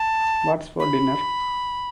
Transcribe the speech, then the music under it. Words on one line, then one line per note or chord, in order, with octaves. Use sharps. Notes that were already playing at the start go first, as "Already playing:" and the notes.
What's for Dinner?
Already playing: A5
B5